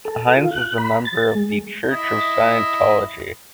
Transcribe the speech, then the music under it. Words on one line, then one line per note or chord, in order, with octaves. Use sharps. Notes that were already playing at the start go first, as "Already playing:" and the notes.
Hynes is a member of the Church of Scientology.
A4
F4
F#6
B5
A6
G#3
E4 D#5 E5